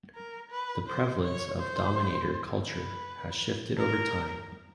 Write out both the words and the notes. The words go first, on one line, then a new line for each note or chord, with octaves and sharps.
The prevalence of dominator culture has shifted over time.
A#4
B4
C5
C#5
C5
B4
A#4